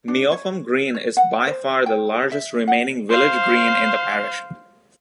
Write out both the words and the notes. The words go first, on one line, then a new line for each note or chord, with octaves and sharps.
"Meopham Green" is by far the largest remaining village green in the parish.
D4
C#5
C#5
F#5
C5
G5
E5
F#5
C5 F5